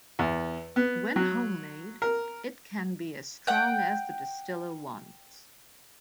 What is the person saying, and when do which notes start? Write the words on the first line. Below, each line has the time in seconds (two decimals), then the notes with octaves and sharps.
When homemade, it can be as strong as the distiller wants.
0.19 E2
0.76 B3
1.16 F#3
2.02 A#4
3.47 F#5 G5